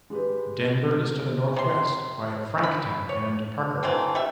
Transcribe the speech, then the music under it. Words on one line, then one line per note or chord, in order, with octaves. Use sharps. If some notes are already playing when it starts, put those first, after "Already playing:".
Denver is to the northwest via Franktown and Parker.
G#3 G4 B4
C3 C6
B5
C#5
E3 F#3 A3 C4
G3 E5